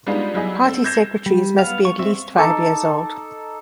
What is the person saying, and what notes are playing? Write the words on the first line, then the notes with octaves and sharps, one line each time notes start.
Party secretaries must be at least five years old.
G3 G#3 B3 D4 D#4 F4
F#3 G3 E4 G#4 D#5
C4 A4
G6 G#6 A#6 C7 E7
G3
B3 F5
C#6
C4 E5 C#6 E6
D#4 A4 D6